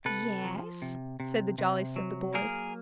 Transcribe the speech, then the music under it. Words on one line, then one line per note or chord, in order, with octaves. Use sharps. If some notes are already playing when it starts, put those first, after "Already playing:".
"Yes," said the jolliest of the boys.
C3 A4 B4
F3
C3
C3
C3
F#3
A#3 G#4 A#4